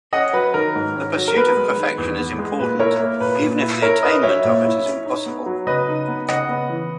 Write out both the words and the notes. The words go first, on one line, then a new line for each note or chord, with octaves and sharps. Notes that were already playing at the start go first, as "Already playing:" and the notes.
The pursuit of perfection is important, even if the attainment of it impossible.
C#4 D#5 F#5
F#3 B4
D#3 A#4
G#2
C#4
F#3
A#4
B3 B4
G#3
D#3
E2
B3
G#3
A#2 B4
E4 A#4 C#5
A#3
A#2 B4
A#2
E4
E4 A#4 C#5
C#4 B4 D#5
F#3 C#5 E5
A#2
E4
C#4
D#4
B3
F#3
C#3 B4 D#5
D#4
B3
C#3 D#5 F#5
B3
E3